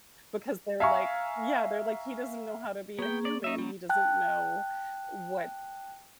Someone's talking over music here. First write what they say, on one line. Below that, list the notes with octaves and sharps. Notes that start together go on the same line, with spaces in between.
because they're like Yeah, they're like, he doesn't know how to be a human. He doesn't know what
E5 F5 G#5 A#5 C#6
A#3 B3 G#4 G5 C#6
D5
A#3 C#4 D#4 E5 C#6
F#3 G3
G5 A5 F#6